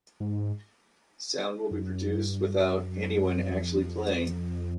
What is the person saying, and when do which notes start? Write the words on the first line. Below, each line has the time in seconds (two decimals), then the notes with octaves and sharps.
Sound will be produced without anyone actually playing.
0.20 G#2
1.71 F#2
2.16 G2
2.61 F#2
3.52 F2